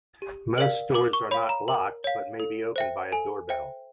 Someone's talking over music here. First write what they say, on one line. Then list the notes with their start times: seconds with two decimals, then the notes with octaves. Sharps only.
Most doors are not locked but may be opened by a doorbell.
0.22 G4
0.58 A#4 D5 F5
0.94 A#4 D6
1.13 C#6
1.31 C#5 F5 B5
1.49 A#5
1.68 A#4
2.04 C#5 F5
2.40 A4
2.76 C5 E5 G5
3.12 A4 G#5
3.49 C5 E5 G5